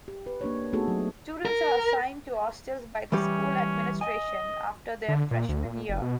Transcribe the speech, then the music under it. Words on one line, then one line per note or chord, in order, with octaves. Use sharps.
Students are assigned to hostels by the school administration after their freshmen year.
G4
B4
A#3 D4 G4 C#5
A3 B3 D#4 F#4 G#4 A4
F#3
A#4
E3 G3 C#4 G4
D#5 G#5
D3
A#2
D2
A#2
F#1
B2